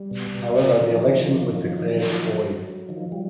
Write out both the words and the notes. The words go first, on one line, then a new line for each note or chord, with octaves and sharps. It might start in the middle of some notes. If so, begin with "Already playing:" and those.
However, the election was declared void.
Already playing: G3
B2
B2
C#3
D#3 F3
D#3 F3 F#3
D#3 F3
F3 G3